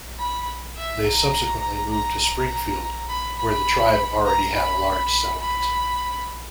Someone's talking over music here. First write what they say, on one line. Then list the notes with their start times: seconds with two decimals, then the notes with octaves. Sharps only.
They subsequently moved to Springfield where the tribe already had a large settlement.
0.19 B5
0.76 E5
1.06 A#5
1.92 A#5
3.09 B5
3.38 B5
4.25 A#5
4.54 B5
5.40 B5